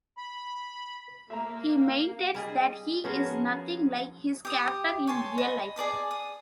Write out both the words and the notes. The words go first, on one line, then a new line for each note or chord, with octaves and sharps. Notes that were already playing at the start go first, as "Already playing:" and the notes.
He maintains that he is nothing like his character in real life.
B5
A#3 E5 A#5
F5
G3 G#4 D#5
F3 B3 C#4 F#4 G#4 A#4
G4 D#6
C#5 G#5 A5 C6
D#5 B5
G#4 D5 A5 D#6
D#6